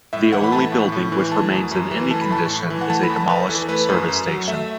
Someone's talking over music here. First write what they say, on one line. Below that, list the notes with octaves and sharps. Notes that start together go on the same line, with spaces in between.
The only building which remains in any condition is a demolished service station.
A2 E5
E3 F#5
B5
A3 A5
A2
A2
E3
A3 A5
F#2
F#2
E3
A3 A5
B5
A2 A5
A2
E3
F#5
A3 A5
B5
E2
A5
E2 B4
E3 A4
A3 B4
F#2
F#2
F#3
A3 E5